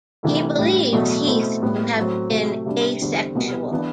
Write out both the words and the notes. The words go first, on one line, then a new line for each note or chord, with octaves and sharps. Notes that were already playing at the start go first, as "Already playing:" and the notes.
He believes Heath to have been asexual.
C2 C3 E3 A3 E4
A2 G3 D4
E2 B2 F#3 A3
B2 A3 C4 E4
A2 G3 B3
A2 F#3 C4
C3 F#3 A3
C3 G3 D4
E2 D3 G3 C4
C2 B2 G3 B3
E3 B3 D4